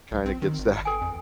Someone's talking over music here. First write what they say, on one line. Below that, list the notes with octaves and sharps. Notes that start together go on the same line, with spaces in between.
kinda gets that
B1
C4 C6
D#3
G#1
A4 G5 G#5
F2